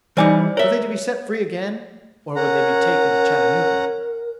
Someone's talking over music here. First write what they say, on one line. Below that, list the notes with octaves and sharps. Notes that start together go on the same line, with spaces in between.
Were they to be set free again, or would they be taken to Chattanooga?
E3 G3 D#4 C5 D5 G#5
A#4 C#5 E5
C#4 A#4 F#5 A#5